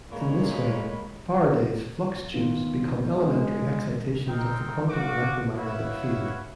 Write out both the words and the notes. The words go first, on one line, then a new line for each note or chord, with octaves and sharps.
In this way, Faraday's "flux tubes" become elementary excitations of the quantum electromagnetic field.
A#2 G#3 A#3 C#5 B5
D#3 B3 F4
G#3
G#3 C4 D#4 A#4 G5
F4 F#4 D6
E4 F#4 B4 C#5 F5 F#5